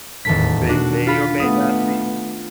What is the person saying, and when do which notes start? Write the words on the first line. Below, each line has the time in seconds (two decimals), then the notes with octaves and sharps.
They may or may not be
0.25 D#1 E2 A2 A4 B6
0.69 B2 D4 F#4
1.07 F4 B5
1.40 A3 B3 D#6